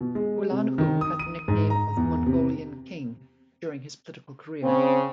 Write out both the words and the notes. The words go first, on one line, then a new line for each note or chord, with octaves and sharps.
Ulanhu had the nickname of "Mongolian King" during his political career.
B2
G#3
C3
D#3
D#6
D#7
G#2
A#5
E2
C3
C#3 C4